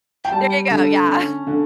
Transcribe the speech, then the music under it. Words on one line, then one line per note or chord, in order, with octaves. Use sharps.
There you go, yeah.
G5
G3 A5
D3
C#4
D3